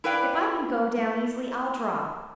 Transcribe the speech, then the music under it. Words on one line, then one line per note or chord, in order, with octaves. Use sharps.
If I can go down easily, I'll drop.
E4 A#4 B4 D5 F5 G5